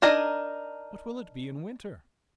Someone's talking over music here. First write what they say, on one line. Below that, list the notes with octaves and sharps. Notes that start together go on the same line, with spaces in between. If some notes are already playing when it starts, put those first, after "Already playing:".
"What will it be in winter?"
D4 D#4 A#4 G#5 A#5